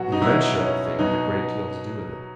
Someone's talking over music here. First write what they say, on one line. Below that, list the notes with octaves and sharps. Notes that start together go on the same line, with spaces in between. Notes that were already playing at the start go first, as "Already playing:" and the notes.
"The adventure of the thing had a great deal to do with it."
Already playing: B2 F#3 F#4
D#4
B2 F#3 E4
C#4
B2 F#3 D#4